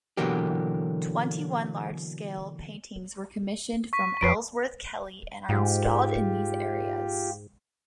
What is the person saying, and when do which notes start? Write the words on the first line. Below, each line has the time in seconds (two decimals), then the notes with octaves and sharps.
Twenty-one large-scale paintings were commissioned from Ellsworth Kelly and are installed in these areas.
0.17 B2 D3 E3 F#3 A#3 G4
3.93 C#6 B6
4.21 F2 B4 C#5 C7 D7
5.49 G#2 F4 G4